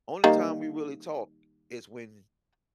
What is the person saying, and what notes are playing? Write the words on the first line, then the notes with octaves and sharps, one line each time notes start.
only time we really talk is when
D#3 G3 A#3